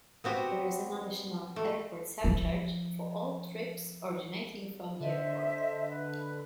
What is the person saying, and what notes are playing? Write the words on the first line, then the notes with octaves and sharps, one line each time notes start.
There is an additional airport surcharge for all trips originating from the airport.
B3 C4 F#4 G4
A3
F3 E4
D3 C5 D#5 E5
B4